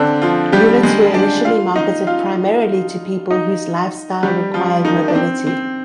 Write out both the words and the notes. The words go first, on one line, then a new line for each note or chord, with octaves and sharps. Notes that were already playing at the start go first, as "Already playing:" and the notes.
Units were initially marketed primarily to people whose lifestyle required mobility.
Already playing: D3 C4 D4
F3 F4
G3 G4
G#3 G#4
D4 D5
F4 F5
D#4 D#5
F4 F5
D#4 D#5
G3 G4
F3 F4
D#3 D#4
D4
C4
C4